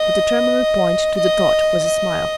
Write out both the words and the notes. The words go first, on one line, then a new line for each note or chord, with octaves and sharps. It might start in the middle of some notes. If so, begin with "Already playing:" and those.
But the terminal point to the thought was a smile.
Already playing: D#5
D#5
D#5